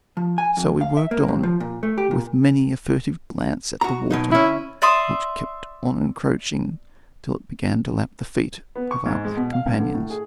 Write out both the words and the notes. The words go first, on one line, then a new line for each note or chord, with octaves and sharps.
So we worked on, with many a furtive glance at the water, which kept on encroaching till it began to lap the feet of our black companions.
F3
G#5
F2
F5
E5
A#3
D#2
F3
A#2
A3
G4
A#2
F#4 A#5
B2 F#3 D#4
D2 C#4 E4
D5 E5 C6 D#6
B3
C#6
G#2
G#3
B2
F5
G2
D3
A2
G#4